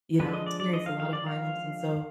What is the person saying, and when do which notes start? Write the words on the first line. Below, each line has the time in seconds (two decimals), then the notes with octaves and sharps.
you know, experienced a lotta violence. And so
0.20 F3 G#3 D4 B4
0.33 D#5
0.46 D5
0.60 D5
0.73 D#5
0.86 F5
1.00 F5
1.13 D5
1.27 F5